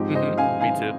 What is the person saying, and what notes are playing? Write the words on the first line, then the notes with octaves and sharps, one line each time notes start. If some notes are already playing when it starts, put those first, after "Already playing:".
Mhm. Me too.
Already playing: G#2 F3 C4 D#4 G4
C5 D#5
F5 G#5
F5 G#5